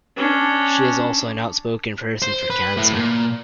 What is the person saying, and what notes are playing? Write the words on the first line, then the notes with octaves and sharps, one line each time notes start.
She is also an outspoken person for Cancer.
C#4 D4
C5
B4
A2
A#2